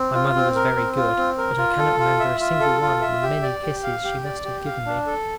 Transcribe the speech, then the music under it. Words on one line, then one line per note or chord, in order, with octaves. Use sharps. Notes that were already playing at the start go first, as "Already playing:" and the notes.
My mother was very good, but I cannot remember a single one of the many kisses she must have given me.
Already playing: C4
F4
C4
A#4
C4
F4
C4
A#4
F4
A4
F4
E5
F4
A4
F4
E5
G4
D5
G4
F5
G4
D5
G4
F5
D4
A4